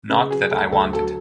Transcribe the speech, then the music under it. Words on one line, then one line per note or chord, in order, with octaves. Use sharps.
Not that I want it.
C#3 B4
F#3 G#4
D2 A4
D2 A4
F#3 A4